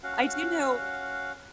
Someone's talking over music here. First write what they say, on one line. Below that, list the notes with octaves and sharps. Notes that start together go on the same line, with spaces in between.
I do know
C#4 F#4 F5 F#5